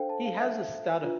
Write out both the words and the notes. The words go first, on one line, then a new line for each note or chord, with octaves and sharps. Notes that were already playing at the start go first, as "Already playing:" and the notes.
He has a stutter.
Already playing: D4 A4 C5 F5 G5
A5
F5
E5
D4 F4 B4